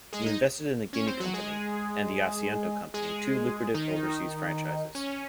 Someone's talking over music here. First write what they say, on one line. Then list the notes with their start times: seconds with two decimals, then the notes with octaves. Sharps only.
He invested in the Guinea Company and the Asiento Company, two lucrative overseas franchises.
0.13 G#3 G#4
0.26 D#4 D#5
0.93 C#4 C#5
1.07 C4 C5
1.20 F#3 F#4
1.33 G#3 G#4
2.94 G#3 G#4
3.74 D#3 D#4
4.95 C#4